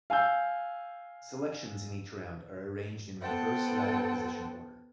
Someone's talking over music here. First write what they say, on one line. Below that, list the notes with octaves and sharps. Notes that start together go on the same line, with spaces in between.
Selections in each round are arranged in reverse ladder position order.
F5 G#5 E6 G6
B3 A4 C5 F#5 G5